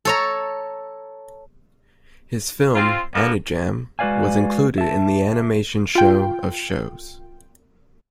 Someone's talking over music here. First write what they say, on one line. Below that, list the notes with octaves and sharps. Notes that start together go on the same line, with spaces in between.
His film "Anijam" was included in the Animation Show of Shows.
A4 C#5 A#5
C4 F4
D3 A#3 B3
G#3 F#4 B4 D5 F5 G#5
E5 A5
F4 G5